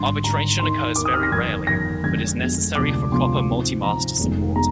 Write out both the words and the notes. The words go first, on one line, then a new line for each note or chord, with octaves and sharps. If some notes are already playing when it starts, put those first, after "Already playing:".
Arbitration occurs very rarely, but is necessary for proper multi-master support.
Already playing: G#1 G2 D3 C6
G#1 G2 D3 A#5
D#2 D#3 A#3 D#4 C6
D#2 D#3 A#3 D#4 D6
D#6
F6
A#6
G1 F2 D#3 A#3 G#6
G1 F2 D#3 A#3 A#6
F2 D3 G#3 G#6
F2 D3 G#3
D2 C3 F3 G#3 D4 D6
D2 C3 F3 G#3 D4 C6
G#2 F3 C4
G#2 F3 C4 A#5
F1 F2 D#3 G#3
G#3 A#5